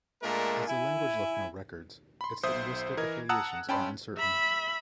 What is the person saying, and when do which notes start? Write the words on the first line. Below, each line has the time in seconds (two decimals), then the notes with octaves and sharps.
As the language left no records, its linguistic affiliations are uncertain.
0.22 A#2 G#3 A3 D4 A#4
0.67 E4 G#5
2.21 B5 C6
2.43 B1 C5 E5 D#6
2.97 E3 A#4 D#5 G#6
3.29 F#5 A5 A#5 D#6 E6 F#6
3.69 C#4 G5 A5 B5 C6
4.18 E5 B5